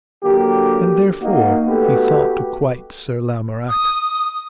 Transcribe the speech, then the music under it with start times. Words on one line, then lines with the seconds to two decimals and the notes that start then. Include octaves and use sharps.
And therefore he thought to quite Sir Lamorak.
0.23 D3 F#3 A#3 G4
1.22 A#3 D#4 F#4
1.67 A3 B3 F#4 G4 A4 B4
3.68 D#6